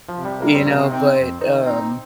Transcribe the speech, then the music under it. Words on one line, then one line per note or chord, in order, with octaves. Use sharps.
You know, but, um
F3
C3
G3
G3 A#3
C4
C3 A#3
C4
C4 D#4
F2 C4
D#3 D#4
C4 D#4